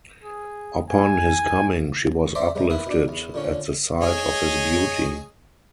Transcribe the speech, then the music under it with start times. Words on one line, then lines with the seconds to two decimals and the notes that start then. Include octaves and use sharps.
Upon his coming, she was uplifted at the sight of his beauty.
0.24 G#4
0.90 G#5
2.35 C5 D5 E5 A#5 C6 D6
2.55 C3 G3 G#3
2.70 E4 A#4 B4
2.86 B2 D4
3.08 E2
3.34 A#2 D3 C#4
4.01 G#4 C#5 D#5